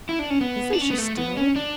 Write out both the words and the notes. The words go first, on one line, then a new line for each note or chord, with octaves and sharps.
"Isn't she still?"
E4
D4
C#4
B3
D4
C#4
B3
A3
B3
C#4
D4